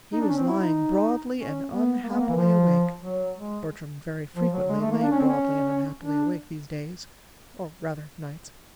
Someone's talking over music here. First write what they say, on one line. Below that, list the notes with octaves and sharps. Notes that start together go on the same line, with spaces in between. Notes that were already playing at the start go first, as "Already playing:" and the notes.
He was lying broadly and unhappily awake Bertram very frequently lay broadly and unhappily awake these days--or rather nights.
D#4
D4
C#4
C4
E4
D#4
C#4
B3
A#3
B3
A#3
E3
F3
F#3
G#3
F3
F#3
G#3
A3
A#3
D4
C#4
C4
C#4
D4